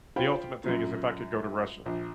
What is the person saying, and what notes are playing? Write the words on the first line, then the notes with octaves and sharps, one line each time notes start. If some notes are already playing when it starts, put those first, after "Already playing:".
the ultimate thing is if I could go to Russia.
F4 C5 F5 G5 B5
F#2 A#2
A#1